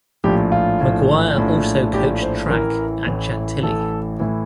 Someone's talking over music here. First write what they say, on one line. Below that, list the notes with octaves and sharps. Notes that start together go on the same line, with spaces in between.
McGuire also coached track at Chantilly.
A#1 A2 F3 G4
F4
A#1 A2 F3
A#1 A2 F3
A#1 A2 F3 G4
C5
A1 A2 E3 A#4
A1 A2 E3
A1 A2 E3 A4
A2 E3